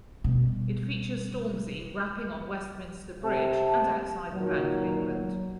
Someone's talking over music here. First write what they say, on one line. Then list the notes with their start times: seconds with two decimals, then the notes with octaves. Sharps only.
It features Stormzy rapping on Westminster Bridge and outside the Bank of England.
0.24 B2 G3
3.24 C3 A5
4.34 A#2 D#3 F#3